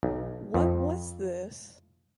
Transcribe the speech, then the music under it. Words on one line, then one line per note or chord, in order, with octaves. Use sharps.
What was this?
B1
F2